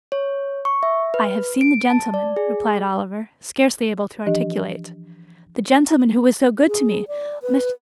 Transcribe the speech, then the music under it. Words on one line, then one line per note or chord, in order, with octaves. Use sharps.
'I have seen the gentleman,' replied Oliver, scarcely able to articulate, 'the gentleman who was so good to me--Mr.
C#5
C#6
E5
B4
D7
A5
D5
G#4
E3 F3 D4 G4 D#5
G#4
D5
B4